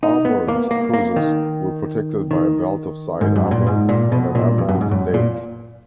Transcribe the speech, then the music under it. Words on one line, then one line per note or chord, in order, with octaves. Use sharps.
Armoured cruisers were protected by a belt of side armour and an armoured deck.
D#4
B3
A#3
A#3
A#3
D#3
D#3
G#2
F#2
A#2
G#2
A#2
B2
A#2
F2
F#2
G#2
F#2
A#2